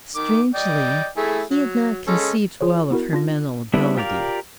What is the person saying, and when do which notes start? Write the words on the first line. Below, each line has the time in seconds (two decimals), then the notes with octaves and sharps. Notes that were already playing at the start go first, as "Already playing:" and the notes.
Strangely, he had not conceived well of her mental ability.
0.16 D#3 D6
0.54 D5 D#5 G5
1.17 A3 E4 G#4
1.51 F#3
2.07 G#3 C#4 A4
2.61 F4 G#4 C5 C#5
2.91 B3 E4 F#4 A#4
3.13 D4 F4 A#6
3.74 G3 B3 C4 D4 E4
3.97 F4 G4 A#4 D5 F5